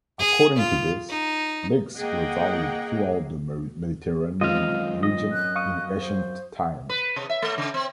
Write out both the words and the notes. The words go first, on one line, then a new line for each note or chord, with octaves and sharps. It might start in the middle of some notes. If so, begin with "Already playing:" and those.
According to this, leeks were valued throughout the Mediterranean region in ancient times.
G#4
F4
D#4
A#3 G#4 D#5 F#5 G5
F#2 D#3 G#3 C4 F4 D#5 F5
D#5
F#6
F5 C#6 D#6
C5
B4
C3
E5
A3
C#3
C4